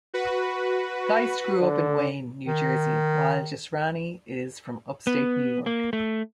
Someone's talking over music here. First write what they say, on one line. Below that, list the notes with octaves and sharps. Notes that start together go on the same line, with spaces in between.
Geist grew up in Wayne, New Jersey, while Jesrani is from upstate New York.
F#4 B4
D3
D#3
B3
A#3
A3